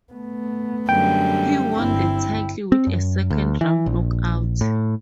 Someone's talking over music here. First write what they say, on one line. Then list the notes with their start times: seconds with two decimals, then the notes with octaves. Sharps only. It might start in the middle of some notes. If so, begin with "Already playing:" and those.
He won the title with a second-round knockout.
0.13 A3 B3
0.89 F#2 D3 G3 G5
1.76 G1 C4 E4
2.72 C4
2.87 F#2
3.30 D2
3.61 E3
3.86 A#1
4.61 A2